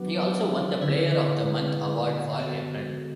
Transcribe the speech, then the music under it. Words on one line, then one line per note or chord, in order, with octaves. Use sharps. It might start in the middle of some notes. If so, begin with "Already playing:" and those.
He also won the Player of The Month Award for April.
Already playing: F#3 B3 D4 F#4 B4 F#5
D3 E4 G#4 B4
B3 F#4 A4